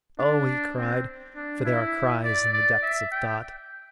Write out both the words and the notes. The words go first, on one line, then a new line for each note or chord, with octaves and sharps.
"Oh!" he cried, for there are cries in the depths of thought.
D4
C4
D4
E4
D5
D5
E5
G5